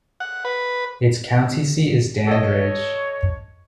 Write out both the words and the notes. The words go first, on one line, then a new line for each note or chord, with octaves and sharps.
Its county seat is Dandridge.
F#5
B4
A4 C#5 D#5